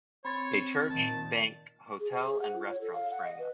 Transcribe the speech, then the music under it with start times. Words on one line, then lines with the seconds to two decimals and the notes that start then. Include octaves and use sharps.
A church, bank, hotel and restaurant sprang up.
0.25 C4 C#5 B5 C6 A6
0.90 A#2 D#3 A5
2.00 G#4
2.12 C5
2.26 G#4
2.41 F#5
2.55 F4
2.69 C#5
2.81 A4
2.93 F5
3.11 F#5
3.24 D#5
3.39 B4